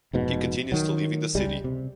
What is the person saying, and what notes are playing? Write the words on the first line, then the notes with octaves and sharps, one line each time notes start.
He continues to live in the city.
F1 G#2 B2
D#3 F#3
C#2 G3 G#3
C3